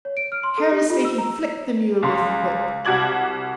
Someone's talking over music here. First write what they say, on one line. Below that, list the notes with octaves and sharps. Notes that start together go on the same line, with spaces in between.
Carelessly he flicked the mule with the whip.
C#5
D7
F6
C6
A4
G4
F4
E6
A#5
C#2 C6
C2 F#4 D6 G#6 F#7